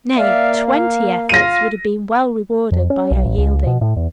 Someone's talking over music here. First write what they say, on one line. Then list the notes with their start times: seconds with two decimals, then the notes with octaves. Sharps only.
Nay, twenty efforts would have been well rewarded by her yielding.
0.16 A#3 D5 E5 F5
0.67 F5
1.29 F4 F5 A#6 D#7
2.72 F2
2.90 C#4
3.11 B1
3.24 A1
3.38 C#2
3.66 B2
3.81 A2
3.96 E2